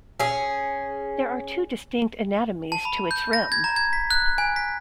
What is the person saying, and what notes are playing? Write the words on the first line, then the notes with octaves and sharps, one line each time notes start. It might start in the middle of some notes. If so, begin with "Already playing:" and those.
There are two distinct anatomies to its rim.
C#4 G#4
A5
B5
G6
A#6
G#6
A#5
G#6
B6
F#6
G#5
B6